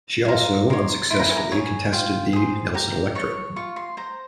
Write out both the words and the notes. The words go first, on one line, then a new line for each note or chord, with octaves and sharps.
She also unsuccessfully contested the Nelson electorate.
G#5
F4 A#5
A#4 C#5 C6
E4 C6
A#5
G#5
A#5
G#4 C#5 G#5
G#5
F4 G5
G#4 C5
G4 A#5
C#5 C#6
F4 C#6
C6
C5 A#5